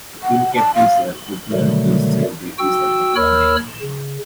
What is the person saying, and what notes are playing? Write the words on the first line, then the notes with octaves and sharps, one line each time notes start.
Team captains were popular based celebrities of the time.
F#5
A5
F5
B2 D3 D#3 F#3 G3 A3
F#4 G5 E6
D#2 A#4 C#5 B5 E6 F6
C#3